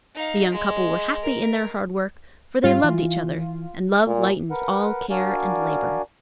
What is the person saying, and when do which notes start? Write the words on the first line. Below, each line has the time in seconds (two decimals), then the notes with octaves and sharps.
The young couple were happy in their hard work, for they loved each other, and love lightens all care and labor.
0.15 D#4 F5
0.52 G#3
1.22 A#4
2.64 G#2 G3 F4
2.84 E3
4.06 A#2
4.51 A#4 B4 F#5
5.10 D4 F#4 A#4 D5 F5 G#5